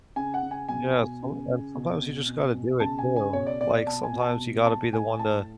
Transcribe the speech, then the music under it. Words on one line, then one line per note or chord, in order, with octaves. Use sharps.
Yeah, sometimes sometimes you just gotta do it too. Like, sometimes you gotta be the one to
C#3 G#5
F#5
C#3
G#5
B2 G#5
B2
C#3
C#3
B2
B2
B2
B2
C#3 A5
G#5
C#3
G#5
B2 C#5
D5
B2 D5
D5
B2 A5
G#5
B2
A5
B2
B2 A5
A2 G#5
A2 A5